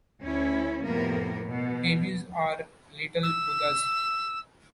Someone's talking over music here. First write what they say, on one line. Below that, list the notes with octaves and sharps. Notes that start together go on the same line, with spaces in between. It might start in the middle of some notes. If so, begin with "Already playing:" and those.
Babies are little Buddhas.
D2 C#4 E4
F2 A2 C3 A#3 B3 A#4
B2
E6